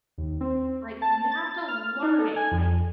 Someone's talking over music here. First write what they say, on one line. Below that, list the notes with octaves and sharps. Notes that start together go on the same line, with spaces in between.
Like, you have to learn it, like,
D#2
C4
A5
A6
F6
D#4
A4
G#5
F2